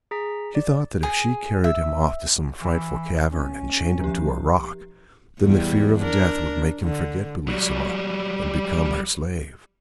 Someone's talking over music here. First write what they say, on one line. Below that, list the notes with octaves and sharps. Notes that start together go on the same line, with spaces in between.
She thought that if she carried him off to some frightful cavern and chained him to a rock, then the fear of death would make him forget Bellissima and become her slave.
G#4 A#5 B6
D5
G#4
E5
E3
C#4
F3 G4
E2 G3
D4 A#4
D3
F#3 G3